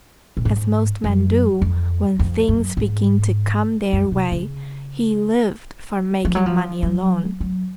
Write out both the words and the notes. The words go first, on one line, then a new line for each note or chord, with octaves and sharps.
As most men do, when things begin to come their way, he lived for making money alone.
A#2
G#2
F#2
F2
F2
F#2
G#2
F#2
C3
C#3
F3
F#3
F3
F#3
F#3